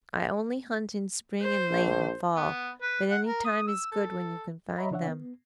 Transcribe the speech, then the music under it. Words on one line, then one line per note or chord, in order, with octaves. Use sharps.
I only hunt in spring and late in fall, but any time is good when you can find them.
C5
A#1
B3
B4
F#5
A#4
D#6
E6
A4
C#5 D#5 E5 A#5 B5
C#3 E3 D4 C#5 E5 F#5
B3